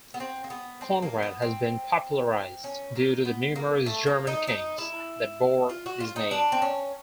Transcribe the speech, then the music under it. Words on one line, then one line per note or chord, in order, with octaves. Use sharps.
Konrad has been popularized due to the numerous German kings that bore this name.
B3
C4
A#3
B3
C4
A#3
B3
C4
C#4
A#3
B3
A#3
A3
A#3
D#4
D#4
E4
F4
F#4
F4
D#4
D4
C4
C#4